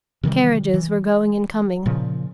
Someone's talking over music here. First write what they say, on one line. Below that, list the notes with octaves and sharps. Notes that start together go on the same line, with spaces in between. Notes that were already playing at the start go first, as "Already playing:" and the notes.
Carriages were going and coming.
C3 D#3 E3 G3
E3
A#2 C#3 F3